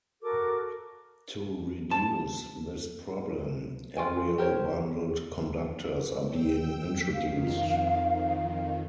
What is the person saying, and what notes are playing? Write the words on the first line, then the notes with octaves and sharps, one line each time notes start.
To reduce this problem, aerial bundled conductors are being introduced.
F#4 A4 A#4 D6
A5
F4 F#4 G5 G#5
G4 A#4 C5 C#5
G5 E6
F2 D#3 F5